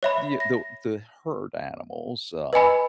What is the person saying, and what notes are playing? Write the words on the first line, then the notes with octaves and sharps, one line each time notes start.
the the the herd animals, uh,
C#5 E5 B5
A#6
B4 D#5 G#5 B5